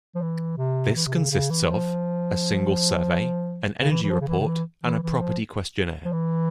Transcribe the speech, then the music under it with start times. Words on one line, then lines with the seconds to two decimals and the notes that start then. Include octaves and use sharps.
This consists of: a Single Survey, an Energy Report and a Property Questionnaire.
0.15 F3
0.22 E3
0.57 C3
0.96 E3
1.06 C3
1.14 C#3
1.31 C#3
1.50 E3
1.70 F3
3.81 C#3
3.91 E3
4.03 E3
4.09 F3
4.21 C#3
4.28 E3
4.39 C#3
4.46 E3
4.84 E3
5.02 E3
5.20 F3
6.05 F3
6.12 E3